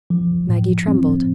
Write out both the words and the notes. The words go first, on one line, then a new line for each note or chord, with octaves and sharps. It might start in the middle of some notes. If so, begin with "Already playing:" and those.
Maggie trembled.
F3
A2
C4